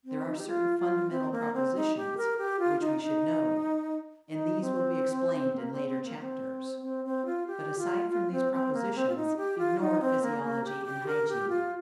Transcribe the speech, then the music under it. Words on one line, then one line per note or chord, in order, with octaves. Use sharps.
There are certain fundamental propositions which we should know; and these will be explained in later chapters, but aside from these propositions, ignore physiology and hygiene.
C4
D#4
G4
F4
F4
C4
A#3
C4
D#4
G4
A#4
G4
F4
D#4
D#4
D#4
C4
A#3
C4
C4
A#3
C4
C4
C4
F4
G4
F4
F4
C4
C4
A#3
C4
F4
D#4
G4
F4
D#4
C4
A#3
A#3
G4
G4
A#4
G4
F4